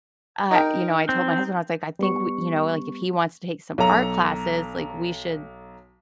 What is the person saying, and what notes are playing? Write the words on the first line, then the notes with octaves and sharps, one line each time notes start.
uh, you know, I told my husband, I was like, "I think we" you know, like, "if he wants to take some art classes," like, "we should
D#4 A#4 G5
C4
G3 B3 C#6
B1 A4 A#5